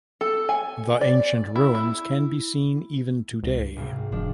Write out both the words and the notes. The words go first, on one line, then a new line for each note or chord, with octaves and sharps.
The ancient ruins can be seen even today.
A4
G#5
D5
E4
E4
C#2
G#1 G#2 C3
F1 D#3 F3 D4